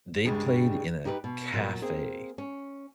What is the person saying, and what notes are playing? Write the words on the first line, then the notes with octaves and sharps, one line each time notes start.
they played in a cafe
D2 G2 C#3 G3 G#3
D#4 G4 G#4 B4
B2
A#2 F#3
A#3 C4 G#4
C#4